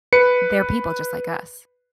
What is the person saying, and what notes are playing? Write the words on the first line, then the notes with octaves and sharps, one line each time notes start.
there're people just like us.
B4 C#7